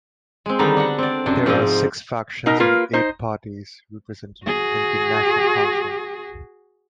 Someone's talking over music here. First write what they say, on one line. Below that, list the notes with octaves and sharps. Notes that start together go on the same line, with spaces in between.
There are six factions and eight parties represented in the National Council.
G#3 C4
D3 D#3 G3 B3 D4 D#4
D4 F#4 F#5
C4 D5
F#2 C3 D4 C5
G#2 F3 C4 C5 D#5
B2 D#4 A#4
A#3 F4 A#4 B4
D#4 C5
F#4 G#4